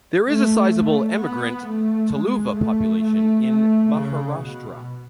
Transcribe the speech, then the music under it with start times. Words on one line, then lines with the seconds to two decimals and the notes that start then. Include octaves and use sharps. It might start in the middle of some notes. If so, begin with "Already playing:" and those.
There is a sizable emigrant Tuluva population in Maharashtra.
0.28 A3
0.74 A3
1.19 B3
1.65 A3
2.11 G#3
2.57 A3
3.02 A3
3.48 A3
3.94 C#3
4.39 B2